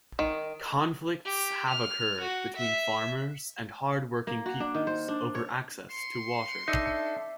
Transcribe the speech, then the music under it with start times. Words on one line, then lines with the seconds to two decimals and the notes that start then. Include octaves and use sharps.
Conflicts have occurred between farmers and hardworking peoples over access to water.
0.19 D#3
1.25 G4
1.70 F6
2.21 F#4
2.57 E5
4.27 A#3
4.46 F#4
4.60 D4
4.75 D#3
4.87 C5
5.08 D4
5.35 C#5
5.91 C6 C#7
6.68 D4 D#4 A4 E5 E6